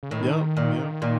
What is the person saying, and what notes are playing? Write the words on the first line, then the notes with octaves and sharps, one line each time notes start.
Yep, yep.
C#3
A2 D#3
A#2
A#2